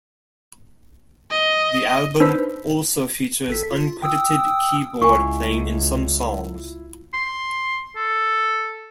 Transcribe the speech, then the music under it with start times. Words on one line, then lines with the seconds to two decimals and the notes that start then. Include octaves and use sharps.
The album also features uncredited keyboard playing in some songs.
1.31 D#5
2.20 D4 D#4 B4 C5 E6 B6
3.48 G#1 A4 B6
3.71 F4
4.02 G5 D#6 E6
5.02 C#2 E4 F4 G#5 C#6
7.14 C6
7.96 A4